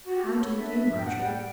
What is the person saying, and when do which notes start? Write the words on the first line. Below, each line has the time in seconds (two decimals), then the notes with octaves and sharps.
'How do you do, Margery?
0.06 F#4
0.15 G4
0.25 B3 A4
0.39 C#5
0.54 D4 E5
0.68 E5
0.84 A2 E5
0.98 G5
1.04 F#5
1.14 G3
1.24 G5